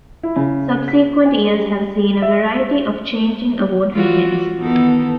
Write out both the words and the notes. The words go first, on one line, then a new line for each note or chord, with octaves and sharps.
Subsequent years have seen a variety of changing award mechanisms.
E4
C#3
B6
G#5
G3
E5
E3 F4 F#4
D#3 E3 B3 D#4 A4